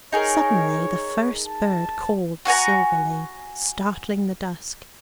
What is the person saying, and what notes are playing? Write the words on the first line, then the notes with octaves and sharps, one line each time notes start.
Suddenly the first bird called silverly, startling the dusk.
D#4 G#4 A#4 C#5
A5
F#4 F#5 G#5 A#5